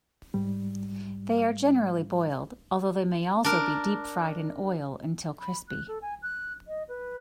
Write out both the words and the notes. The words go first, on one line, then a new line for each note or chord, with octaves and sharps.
They are generally boiled, although they may also be deep-fried in oil until crispy.
G#2 G3
D4 A#4
B5
F#6
A4
G#5
F#6
D#5
B4